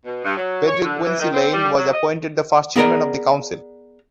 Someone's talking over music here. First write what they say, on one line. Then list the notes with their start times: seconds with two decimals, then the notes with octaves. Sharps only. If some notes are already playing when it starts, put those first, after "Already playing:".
Frederick Quincey Lane was appointed the first chairman of the council.
0.05 B2
0.25 G2
0.37 F#3
0.68 C#5
0.84 D3
1.04 E3
1.20 D#3
1.34 C4
1.53 G3
1.77 F#3
1.94 D#5
2.76 B3 G#4 A#4 C5 D5 A#5